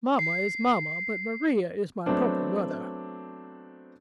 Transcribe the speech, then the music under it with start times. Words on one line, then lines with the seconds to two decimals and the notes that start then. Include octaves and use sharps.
"Mamma is mamma but Maria is my proper mother."
0.19 C7
2.06 F#3 A3 B3 C4 D4